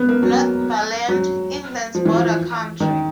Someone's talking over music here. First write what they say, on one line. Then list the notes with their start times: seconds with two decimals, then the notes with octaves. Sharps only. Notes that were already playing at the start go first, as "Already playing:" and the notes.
Northumberland: England's Border Country.
Already playing: B3
0.09 A#3
0.23 F#3
1.08 F#3
1.95 F3
2.05 E3
2.16 F3
2.80 D#3